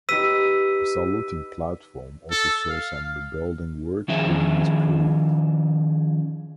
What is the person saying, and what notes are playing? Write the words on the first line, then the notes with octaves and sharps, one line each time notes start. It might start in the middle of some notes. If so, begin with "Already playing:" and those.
The saluting platform also saw some rebuilding work during this period.
D#4 G4 B4 E6 B6 D#7
A4
F5
D#3 F3 C#4 G#4 E5